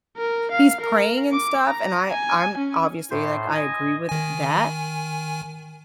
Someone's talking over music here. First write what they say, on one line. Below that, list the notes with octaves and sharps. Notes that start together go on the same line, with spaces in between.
he's praying and stuff, and I I'm obviously, like, I agree with that,
A#4
F5
A#4
D6
A#5
G#5
C#4
A2 C5
D#5 G#5
D#3 G#5